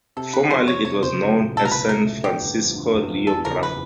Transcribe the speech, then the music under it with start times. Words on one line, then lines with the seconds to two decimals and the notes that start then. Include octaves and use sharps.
Formerly it was known as San Francisco Rio Bravo.
0.17 C3 A4
0.33 C3 B4
0.50 F2 C5
0.68 F2 C#5
0.85 C3 C#5
1.02 F#1 C5
1.20 F#3
1.38 A#2
1.55 C2 A4
1.65 A#4
1.72 A#2 B4
1.89 C2 A#4
2.06 A3
2.23 D3 G4
2.41 G1
2.58 F2
2.75 D3
2.93 G1
3.10 F2
3.27 E2 A4
3.45 F#1 A#4
3.63 B4